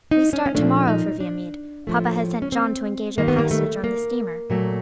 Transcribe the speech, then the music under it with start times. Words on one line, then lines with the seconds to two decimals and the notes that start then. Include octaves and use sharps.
"We start to-morrow for Viamede; papa has sent John to engage our passage on the steamer."
0.11 D#4
0.33 C#4
0.46 C#4
0.55 A#2 F3 A3 D4
0.88 D#4
1.20 D4
1.87 A2 F3 A3
2.42 C#4
2.52 C4
3.18 G2 D#3 G3 A#3
3.28 B3
3.39 A#3
3.51 A3
3.84 A#3
4.50 A#2 F#3 A3